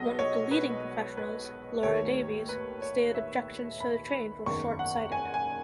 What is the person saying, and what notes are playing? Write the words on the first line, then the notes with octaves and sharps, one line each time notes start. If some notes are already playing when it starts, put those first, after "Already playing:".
One of the leading professionals, Laura Davies, stated objections to the change were shortsighted.
Already playing: B1 B2 G#3 B3 D#5
C#5
B4
B4
D#2 D#3 A3 C#5
B4
C#5
E5
B5
F#1 E2 D#3 C#6
F#5
G#5
G#5